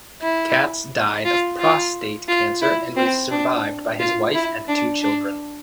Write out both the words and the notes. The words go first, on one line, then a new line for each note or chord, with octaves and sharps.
Katz died of prostate cancer and was survived by his wife and two children.
E4
F4
F4
F4
E4
C4
D4
F4
E4
D4
D4